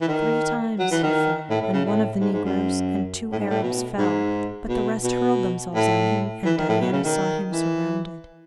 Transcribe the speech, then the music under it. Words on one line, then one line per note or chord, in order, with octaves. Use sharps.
Three times he fired and one of the negroes and two Arabs fell, but the rest hurled themselves on him, and Diana saw him surrounded.
E3
D#3
F#3
E3
D#3
A2
A2
C#3
A2
G#2
G#2
F#2
A2
G#2
A2
B2
G#2
B2
B2
A2
E3
D#3
A2
B2
C#3
D#3
E3